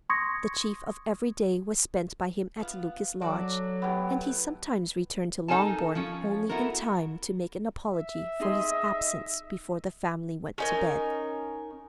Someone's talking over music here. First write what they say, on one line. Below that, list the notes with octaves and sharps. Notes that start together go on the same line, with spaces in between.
The chief of every day was spent by him at Lucas Lodge, and he sometimes returned to Longbourn only in time to make an apology for his absence before the family went to bed.
C6 C#6 D#6 G#6 A#6 C#7
B3 F4
F#3 F#4 A4 D5
F#2 A2 B3 G4 A4
D#4 A4 A#4 G#5 A5
F3 C#4
B3 E4 F#4 A4 A#4
E5
D#4 G#4 D#5 C6
C#4 D#4 A#4